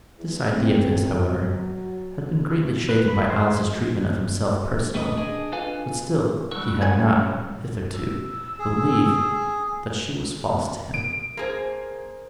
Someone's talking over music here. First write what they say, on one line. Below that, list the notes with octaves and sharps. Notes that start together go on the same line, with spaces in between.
This idea of his, however, had been greatly shaken by Alice's treatment of himself personally; but still he had not, hitherto, believed that she was false to him.
E2
C4
F#3
B4
B5
C5
G#3
G3 A3 C#4 B4 D5 D#5
D4 G#4 D#5
D4 F4 A4 B4 F5 G#5
D3 G3 G#3 C#6 E6 F#6
D3 D#3 C#4 C#5 F#5 G#5
D1 A#1 A#2
E6
G#4
D7
A#3 G#4 A#4 C5